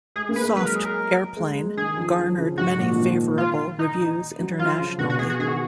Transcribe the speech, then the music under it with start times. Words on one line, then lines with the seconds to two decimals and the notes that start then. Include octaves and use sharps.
"Soft Airplane" garnered many favourable reviews internationally.
0.16 G#3 G#4
0.29 A#3
0.36 B4
0.42 G#3
0.56 F#3 B4
0.66 A#4
0.76 G#4
0.85 A#4
1.37 G#3
1.77 D#3 G#4
1.97 F3
2.17 F3
2.37 C#3
2.57 G#2 F#4
2.78 A#2
2.92 F3
2.97 D#3
3.38 F4
3.79 D#4
4.39 F#3
4.59 F3 F4
4.79 C#3
4.99 B2 F#4
5.10 F#4
5.19 G#4
5.29 F#4
5.39 D#3 G#4
5.48 F#4